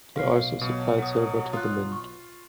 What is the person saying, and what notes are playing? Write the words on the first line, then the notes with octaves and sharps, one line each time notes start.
He also supplied silver to the mint.
B1 F5 F6 C7
B2 F#3
F#5 D#6
F4 D#6 F#6
C#6